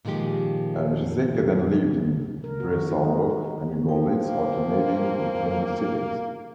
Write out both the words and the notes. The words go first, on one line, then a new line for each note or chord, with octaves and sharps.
Giseke then lived in Breslau and Görlitz, alternating between the cities.
A#2 D#3 F3 G#3 G4
A#4
F#4
D#3
D#4
G#3
D#4
G4
F3 G5
A#3